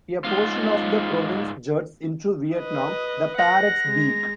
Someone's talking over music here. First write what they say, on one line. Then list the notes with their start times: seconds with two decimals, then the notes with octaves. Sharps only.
A portion of the province juts into Vietnam, the "Parrot's Beak".
0.25 G#2 F4
2.57 B4 D#5
3.38 F#5 A#6
3.85 G#3